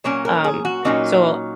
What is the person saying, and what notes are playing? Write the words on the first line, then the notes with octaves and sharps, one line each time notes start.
Um, so I
A#2 F#3 A#3 C#4 C#5
A#4
G#4
F#4
A#2 F#3 A#3 C#4 D#4